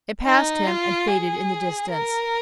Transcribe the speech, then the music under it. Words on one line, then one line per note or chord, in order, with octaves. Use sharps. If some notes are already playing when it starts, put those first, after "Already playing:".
It passed him and faded in the distance.
D#4
F4
G#4
A#4